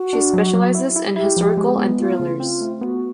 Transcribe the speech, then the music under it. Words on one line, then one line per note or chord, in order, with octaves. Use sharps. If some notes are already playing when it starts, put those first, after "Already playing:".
She specializes in historical and thrillers.
Already playing: F#4
D4
F#3
F#3
E4
E4
E4 G4
F3
G#3
B3
A3 F4
C#3
C4 F4
A3
B3 F#4